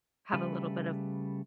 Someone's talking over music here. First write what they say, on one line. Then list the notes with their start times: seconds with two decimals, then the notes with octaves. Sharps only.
Have a little bit of
0.33 C#3 G3 A3 B4